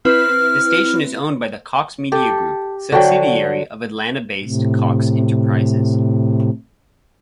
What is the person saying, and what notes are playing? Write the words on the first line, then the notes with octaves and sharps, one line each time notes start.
The station is owned by the Cox Media Group subsidiary of Atlanta-based Cox Enterprises.
C4 E4 B4 F6
G4 A4
D3 F#3 F#4 C5 G5
A2 C3